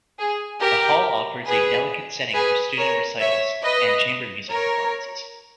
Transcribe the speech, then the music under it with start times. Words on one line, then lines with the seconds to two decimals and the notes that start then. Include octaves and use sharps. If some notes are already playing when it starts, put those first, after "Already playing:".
The hall offers a delicate setting for student recitals and chamber music performances.
0.18 G#4
0.61 G4 A#4
1.47 G#4 B4
2.34 G#4 B4
2.77 A#4 C#5
3.21 C#5 E5
3.64 B4 D#5
4.50 A#4 C#5